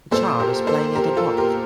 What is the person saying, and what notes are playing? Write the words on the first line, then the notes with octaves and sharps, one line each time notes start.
A child is playing at a park.
A#2 A4 C5
G4 A#4
A4 C5
G4 A#4
F4 A4
G4 A#4